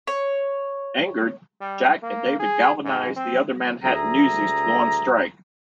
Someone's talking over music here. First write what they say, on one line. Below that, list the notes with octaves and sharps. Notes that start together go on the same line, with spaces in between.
Angered, Jack and David galvanize the other Manhattan newsies to go on strike.
C#5
G3
A#3
G#4
G#2
C4
D2 G#4 E5 A#5